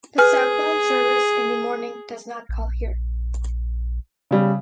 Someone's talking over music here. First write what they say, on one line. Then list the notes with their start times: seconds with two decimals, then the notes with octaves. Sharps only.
The southbound service in the morning does not call here.
0.18 G#4 B4 G#5 F6
2.49 A#1
4.31 C#3 G3